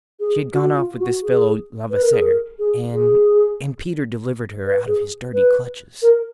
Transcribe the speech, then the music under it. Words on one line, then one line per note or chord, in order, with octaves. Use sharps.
She had gone off with this fellow Levasseur, and... and Peter delivered her out of his dirty clutches.
G#4
F#4
F4
F#4
G#4
B4
A#4
G#4
A#4
G#4
G#4
B4
G#4
B4
A#4